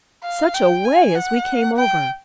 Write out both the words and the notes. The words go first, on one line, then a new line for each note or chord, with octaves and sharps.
Such a way as we came over!
F5
G5
G#5
F#5
G5